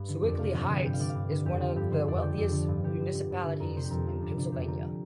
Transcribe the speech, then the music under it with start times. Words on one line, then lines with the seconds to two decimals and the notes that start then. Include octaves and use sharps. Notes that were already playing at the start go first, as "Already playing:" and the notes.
Sewickley Heights is one of the wealthiest municipalities in Pennsylvania.
Already playing: G2
0.09 D3
0.23 F2 D5
0.39 C3 F5
0.55 G2
0.69 D3
0.85 G2 G5
0.94 F5
0.99 D3 D5
1.10 F5
1.15 G2
1.31 D3
1.45 F2 G4
1.61 D3 F4
1.76 G2 G4
1.92 D3 C5
2.08 F2 D5
2.22 D3 G5
2.37 F2 D5
2.53 D3
2.68 G2 F4
2.84 D3 G4
3.00 G2
3.15 D3
3.30 G2
3.46 D3
3.60 F2 A#4
3.76 C3 C5
3.84 G4
3.91 F2 A#4
4.07 C3 F4
4.21 G2 D4
4.38 D3 D4
4.52 F2 G4
4.67 D3 A#4